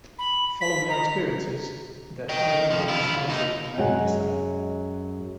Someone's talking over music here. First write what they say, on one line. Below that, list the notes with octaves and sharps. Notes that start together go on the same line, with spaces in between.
Following their experiences, their fundamental personalities remained the same.
B5
B6
A#5
D#5 G5
F2 F3
E4 F4
D#2 D#4
F#2 F#3 G#3 F#5